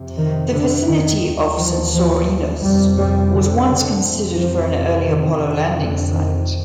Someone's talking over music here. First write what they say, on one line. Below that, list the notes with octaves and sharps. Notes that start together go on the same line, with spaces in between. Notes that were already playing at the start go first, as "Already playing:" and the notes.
The vicinity of Censorinus was once considered for an early Apollo landing site.
Already playing: F2 C3
D#3
D3
D#3
D#2
F3
F3
F2 C3 G3
G3
D3
D3
F2 C3
F3
D#3
F2 C3
D3
D#3